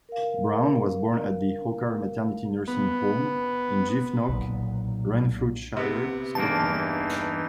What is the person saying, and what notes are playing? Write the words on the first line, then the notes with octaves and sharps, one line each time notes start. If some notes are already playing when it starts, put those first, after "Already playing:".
Brown was born at the Orchard Maternity Nursing Home in Giffnock, Renfrewshire, Scotland.
A#4 F5
B3
B1 A#2 F#3
C3 B3
E2 G2 E3 A#3 D#4 A5